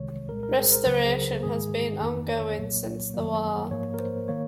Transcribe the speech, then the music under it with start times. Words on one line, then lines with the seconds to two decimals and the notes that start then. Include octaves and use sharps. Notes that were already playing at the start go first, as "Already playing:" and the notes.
Restoration has been ongoing since the war.
Already playing: C2 C3 D#3 G#3 C#5
0.28 C2 A#2 G#3 A#4
0.43 A#4
0.58 G#4
0.64 C5
0.72 A#4
0.86 C#2 C#3 F#3 C5
1.05 G#4
1.15 A#4
1.43 G#2 D#3 G#3 G#4
2.00 F2 D#3 A#3
2.28 C#5
2.57 C2 A#2 F#3 A#3
3.14 F#2 D#3 F#3 A#3
3.71 G#2 F3 A#3 C#5
3.94 A#4
3.99 C5
4.28 D#3 A#3 C#5